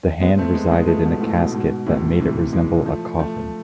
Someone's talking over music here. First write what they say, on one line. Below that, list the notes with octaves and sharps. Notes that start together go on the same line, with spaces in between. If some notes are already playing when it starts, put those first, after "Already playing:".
The Hand resided in a casket that made it resemble a coffin.
G#3 B3
A3 C4
G#3 B3
G#3 B3
F3 A3
G#2 B2
A2
G#2 B2
G#2 B2
A2 C3
C3 E3
E3 G#3
F3 A3
F3 A3